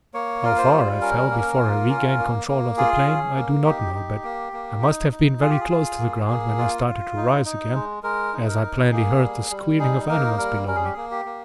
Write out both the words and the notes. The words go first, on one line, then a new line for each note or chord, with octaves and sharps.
How far I fell before I regained control of the plane I do not know, but I must have been very close to the ground when I started to rise again, as I plainly heard the squealing of animals below me.
A#3 C#5
F4 A#4
C5
G3
C#4 A#4
A#3
F4
C#4
A#3
A#3
F4 G#4
C#4
A#3
D#4 G4
D#4
A#3
A#3
D#4
D#4
F4 G#4
G4
G#4
F4
A#3
A#3
F4
F4
D#4
D#4
G#3
G#3 A#4
D#4
A#4
D#4
A#3 G#4
G3
G3
D#4 G#4
A#3 A#4
G3 A#4
C#4 A#4
G#4
G4
A#3 G#4
G4
A#3